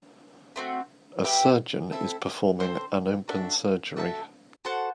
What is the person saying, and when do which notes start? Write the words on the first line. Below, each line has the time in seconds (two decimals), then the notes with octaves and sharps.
A surgeon is performing an open surgery.
0.56 A3 C4 F#4
1.24 G4 B4 E5 G5
1.92 C4 E4 A4 E5
2.60 C4 F#4 A4 C5
3.28 D4 F#4 A4 E5
3.96 F#4 A4 E5 A5
4.65 F#4 A4 C5 F#5